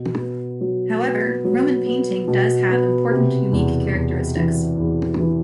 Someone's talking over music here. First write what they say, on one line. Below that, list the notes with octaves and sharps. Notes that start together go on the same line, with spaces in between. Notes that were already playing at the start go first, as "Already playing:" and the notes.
However, Roman painting does have important unique characteristics.
Already playing: B2
B3
F#3
B3
F#3
B3
B2
B3
C3
E2
E2
E3
E2
E3